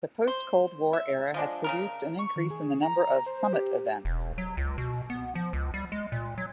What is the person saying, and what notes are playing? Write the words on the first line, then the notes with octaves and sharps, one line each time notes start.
The post-Cold War era has produced an increase in the number of "summit" events.
C5
E5
F3 G#3 D4
C#3 F#3 A#4
C#6
D#3
G#4
A#5
C5
G4
E1
F#3
C#2
B2
B3
F3
C#2
G3
G#3
A#2
F#3